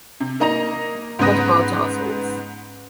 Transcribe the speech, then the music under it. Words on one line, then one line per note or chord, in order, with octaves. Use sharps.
What about our souls?
C3
A#3 D#4 D#5 A#5 A#6 F7
G#2 C#3 B3 B4 D#6 A#6